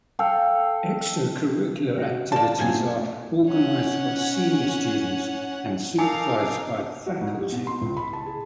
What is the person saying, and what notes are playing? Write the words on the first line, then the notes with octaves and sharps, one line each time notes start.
Extracurricular activities are organised by senior students and supervised by faculty.
A4 F5 G5
F#4
A#3 D5 F#5 A5
F#2 A#2 F3 G#4 G#5
A3
C#4 F#5
D#4 A4 A#4 F5 G#5 D6
F#4
G#2
G4
B2
C6
C#2
B5
A5
G#4